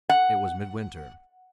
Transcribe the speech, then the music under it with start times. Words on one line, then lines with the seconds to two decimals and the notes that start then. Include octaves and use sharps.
It was midwinter.
0.09 F#5